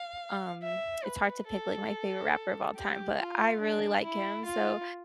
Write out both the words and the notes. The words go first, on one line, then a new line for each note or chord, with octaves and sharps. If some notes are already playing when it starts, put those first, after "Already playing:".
Um, it's hard to pick, like, my favorite rapper of all time, but I really like him, so
Already playing: F5
E5
B4
A4
G4
F4
D4
E4
F4